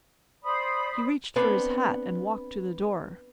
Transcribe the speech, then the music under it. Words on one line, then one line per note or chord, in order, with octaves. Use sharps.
He reached for his hat and walked to the door.
C5 D5 B5 D#6
B3 C4 D4